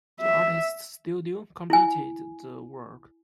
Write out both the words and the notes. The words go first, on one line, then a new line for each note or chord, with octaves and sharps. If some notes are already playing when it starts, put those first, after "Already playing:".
The artist's studio completed the work.
E5
E4 G#5